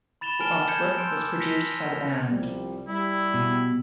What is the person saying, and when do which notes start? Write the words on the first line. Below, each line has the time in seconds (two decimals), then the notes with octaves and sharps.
The artwork was produced by the band.
0.21 B5 A6 E7 F7 G7
0.39 G#5 A5 F6 D7 E7 G7
0.68 G6 G#6 C#7 E7
0.98 C6 E6 G6 C#7 D7
1.17 D6
1.40 A#6 B6 C#7 D7 F7 G7
2.30 C2 F3 G3
2.88 G3 E4
3.34 B2